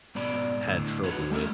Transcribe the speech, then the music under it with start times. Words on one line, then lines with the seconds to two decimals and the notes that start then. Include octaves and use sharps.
had trouble with,
0.15 G#2 B2 D5 B5
0.67 A2 D3
1.03 D3 F#4 B4 C#5 F#5
1.30 G#3 A3 C#4 E4 A#4 E5